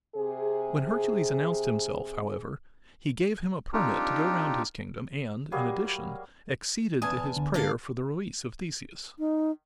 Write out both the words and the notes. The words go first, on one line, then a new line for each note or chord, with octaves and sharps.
When Hercules announced himself, however, he gave him a permit to go round his kingdom and, in addition, acceded to his prayer for the release of Theseus.
C3 G#4
C4 D4 D#4 F4 G4 A#4
F#3 G3 A#3 G#4
E2 G#5 A5 D#6 G#6
C2 D3
A#3 D4 F5
D#4